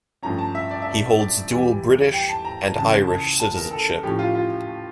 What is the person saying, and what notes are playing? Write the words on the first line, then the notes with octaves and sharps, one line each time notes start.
He holds dual British and Irish citizenship.
G2 F3 A3 C#4 A#5
A5
E5
D5
E5
D5
D5
E2 E3 G3
G5
A5
A#5
C#2 C#3 E3 A5
A5
A5
A#4
A4
A2 F3 C#4 G4
F4
F4